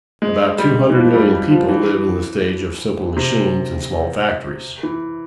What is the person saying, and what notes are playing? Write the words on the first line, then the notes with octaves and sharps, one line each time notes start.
About two hundred million people live in the stage of simple machines and small factories.
G#3
G3
E3
F3
G3
G3
F3
E3
C3
E3